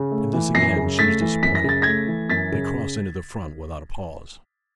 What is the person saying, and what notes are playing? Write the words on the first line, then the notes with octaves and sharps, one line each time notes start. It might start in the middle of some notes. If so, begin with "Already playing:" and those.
In this again she was disappointed: they crossed into the front without a pause.
Already playing: C#3
A3
E3
F#2 A#6 C7
C#3
A3 A6 B6
E3
F#2 B6
A#6
C#3 A6
A3 G#6 A#6
E3
F#2 A6 B6
C#3